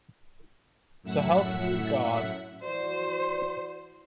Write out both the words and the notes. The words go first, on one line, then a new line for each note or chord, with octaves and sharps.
So help you God.
F#2 A2 E5 F#5 E6
E3 F#4 C5 D5